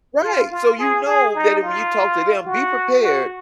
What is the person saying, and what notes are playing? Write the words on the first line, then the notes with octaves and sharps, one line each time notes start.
Right, so you know that- and when you talk to them, be prepared
F4
F4
G#4
G#4
D#4
F4
F#4
F#4